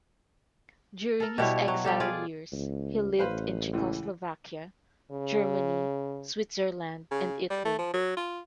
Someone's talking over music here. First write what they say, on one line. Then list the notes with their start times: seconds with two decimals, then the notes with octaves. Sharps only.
During his exile years he lived in Czechoslovakia, Germany, Switzerland and Italy.
1.20 A4 A#4
1.38 B2 G3 E4 C#5
1.68 F#3
1.84 G3 G4 A4
2.00 F4 G#4 D5
2.52 C#2
3.19 A1 B4 C5 F5
3.73 C#2 E3
5.12 C#3
7.11 C#3
7.50 G3
7.65 A3
7.79 F3
7.93 F#3
8.17 F4